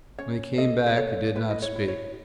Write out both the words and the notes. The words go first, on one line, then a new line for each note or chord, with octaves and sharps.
When he came back, he did not speak.
C#4 C#5
A4 D#5
B4
A4 C#5
E4 B4
D#5
C#5
E4
C#5